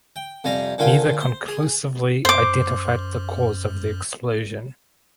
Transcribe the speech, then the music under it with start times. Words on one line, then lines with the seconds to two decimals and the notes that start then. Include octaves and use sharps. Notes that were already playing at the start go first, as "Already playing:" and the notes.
Neither conclusively identified the cause of the explosion.
0.16 G5
0.44 F2 C3 G3 G#5 A#5
0.78 A#2 D3 F3 F4 G5 G#5
1.20 C5
1.48 G#4
2.25 F#2 C5 D6